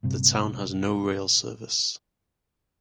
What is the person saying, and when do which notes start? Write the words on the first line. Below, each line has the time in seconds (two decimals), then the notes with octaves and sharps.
The town has no rail service.
0.03 A#1 G2 C3